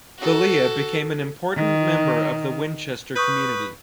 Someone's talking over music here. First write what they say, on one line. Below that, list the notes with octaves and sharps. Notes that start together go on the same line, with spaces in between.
Belia became an important member of the Winchester community.
F#4 A4
D#3
B4 C#6 D#6 G6